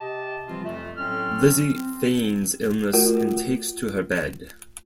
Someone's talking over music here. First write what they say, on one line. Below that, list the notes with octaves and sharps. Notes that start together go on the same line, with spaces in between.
Lizzie feigns illness and takes to her bed.
C3 G4 D#5 A5
E3 F3 G3 C4 F4
F2 A#2 A3
A2 F#3 C4 C#4 A4 F6
C4
A3 F4 F#4 A#4